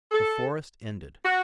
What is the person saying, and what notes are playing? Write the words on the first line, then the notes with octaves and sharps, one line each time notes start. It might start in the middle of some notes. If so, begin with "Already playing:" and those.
The forest ended.
A4
F#4